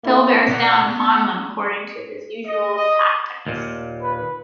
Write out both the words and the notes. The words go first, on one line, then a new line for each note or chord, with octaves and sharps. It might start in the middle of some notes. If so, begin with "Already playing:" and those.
Phil bears down upon them according to his usual tactics.
A#3 E4 A4
B2 D5 F#5 F#6 B6
B3
D#5
D#5
D#2 A#2
B4